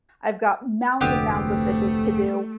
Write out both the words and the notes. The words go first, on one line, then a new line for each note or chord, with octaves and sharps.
I've got mounds and mounds of dishes to do
F1 D2 D3 B3 C4 G4
A3